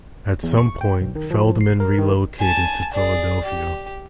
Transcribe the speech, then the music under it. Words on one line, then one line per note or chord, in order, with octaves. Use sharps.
At some point Feldman relocated to Philadelphia.
E2
C#6
G5
B1
D#3
F3
C7
A#4
D#3
G#5 A5
G#4 D5
G4